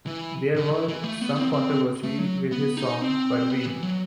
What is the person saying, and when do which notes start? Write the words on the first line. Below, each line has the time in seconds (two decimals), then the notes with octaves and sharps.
There was some controversy with his song "Parveen".
0.06 E3
0.56 D#3
0.71 E3
0.88 E3
1.04 A3
1.21 B3
1.37 C4
1.53 C4
2.03 A3
2.18 F#3
2.52 B3
2.77 D#4
3.01 C4
3.50 B3
3.66 E3
3.83 F#3